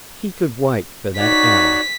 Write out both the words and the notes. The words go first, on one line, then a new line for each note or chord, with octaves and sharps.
He could wait for that hour.
D#4 F#4 C#5 D5 B6